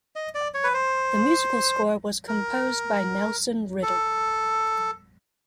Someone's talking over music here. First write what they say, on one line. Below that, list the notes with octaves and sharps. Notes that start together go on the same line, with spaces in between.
The musical score was composed by Nelson Riddle.
D#5
D5
C#5
B4
C5
A#4
A4